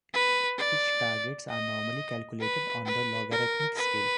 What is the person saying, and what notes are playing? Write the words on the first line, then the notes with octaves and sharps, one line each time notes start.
Pitch targets are normally calculated on a logarithmic scale.
B4
D5
D#5
B4
B4
A#4
B4